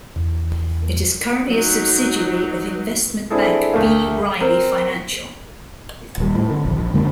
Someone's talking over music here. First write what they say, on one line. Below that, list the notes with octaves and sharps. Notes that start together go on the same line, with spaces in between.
It is currently a subsidiary of investment bank B. Riley Financial.
E2
F#3 D#4
C4 D4 E4 G#4 A4
D2 A3 A#3
C4 A#4
D#1 G3
A2
D3
A#1 D#2
A#1
F#2 D3 G#3 A#3